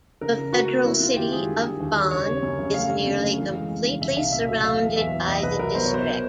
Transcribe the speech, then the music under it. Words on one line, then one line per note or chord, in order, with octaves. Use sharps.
The federal city of Bonn is nearly completely surrounded by the district.
C#3 A#4
C#3
C#3 F#4
A3
F#2 E4
F#2 F4
D#3 G4
G#3 G#4
D3
G3
D#2
G3
C#3 C#5
C#3
F#2
C#3
A3 F5
D3
F#2
A3
E3
G#3
F2
C#3
C2 E5
C2 F5
A#2 E5
F#3 E5
E2 F5
E2
E2 E5
E2
C2 D#5
C2 B4
F#3 A#4
B2 C5
C#5
F#3 C5
F#3